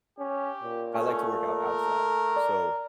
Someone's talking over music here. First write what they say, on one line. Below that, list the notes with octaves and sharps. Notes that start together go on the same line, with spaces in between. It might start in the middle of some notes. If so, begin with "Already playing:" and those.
I like to work out outside. So,
C#4 G4
A#2
A3 C#4
A#4
D5